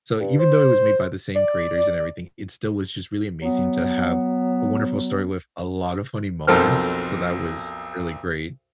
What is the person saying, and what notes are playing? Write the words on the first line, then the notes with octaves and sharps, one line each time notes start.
so even though it was made by the same creators and everything, it still was just really amazing to have a wonderful story with a lot of funny moments, so that was really great.
G2
C5
D5
F#3 B3
B1 F2 A4 A#4 C5 F6